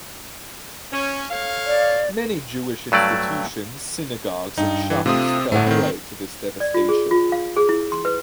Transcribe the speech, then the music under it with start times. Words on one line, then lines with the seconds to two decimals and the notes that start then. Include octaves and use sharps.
Many Jewish institutions, synagogues and shops fell prey to this devastation.
0.93 C#4
1.31 A4 C#5 F5
1.66 D5
2.92 G2 F#3 A3 D5
4.58 G2 D#4
4.90 E3
5.06 C3 A3 C4 F4 D#6
5.52 G1 A2 A3 F#5
5.67 D#3 C4
6.60 D5
6.74 F4
6.89 G#4
7.11 F4
7.32 F5
7.57 G#4
7.69 E4
7.92 C6
8.05 B4